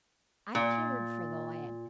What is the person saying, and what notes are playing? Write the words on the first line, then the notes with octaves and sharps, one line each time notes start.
I cared for the lad.
A#2